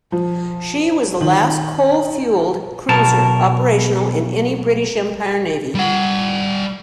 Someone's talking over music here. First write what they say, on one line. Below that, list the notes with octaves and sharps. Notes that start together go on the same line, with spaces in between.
She was the last coal-fuelled cruiser operational in any British Empire navy.
F3
D#3
B1 B2 A#4 A5
G3 F#5